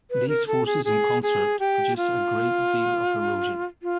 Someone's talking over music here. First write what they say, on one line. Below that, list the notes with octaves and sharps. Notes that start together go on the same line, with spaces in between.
These forces in concert produce a great deal of erosion.
B4
A#4
A4
G#4
G#4
G#4
G4
F4
F4